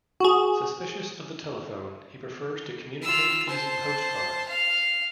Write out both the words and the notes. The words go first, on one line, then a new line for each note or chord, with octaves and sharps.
Suspicious of the telephone, he prefers to communicate using postcards.
F#4 G#4
F4 E6
C5 A5
F5